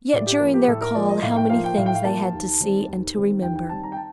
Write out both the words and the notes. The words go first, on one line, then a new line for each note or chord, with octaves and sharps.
Yet during their call how many things they had to see and to remember!
A2 D5
G4
F3 A#3
G4
A2 A4
A#4
F3 A#3 D5
D#5
A2 F5
G5
F3 A#3 F5
G5
A2 F5
G5
F5
F3 A#3 A5
D#2
D#3 G3 C4
D#2
D#3 G3 C4
D#2 G5
G5
D#3 G3 C4 A5
A#5
G5
A5